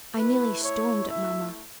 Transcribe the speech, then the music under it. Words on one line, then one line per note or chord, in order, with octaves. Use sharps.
I nearly stormed at Mamma.
A3 E4 B4
C#5
E5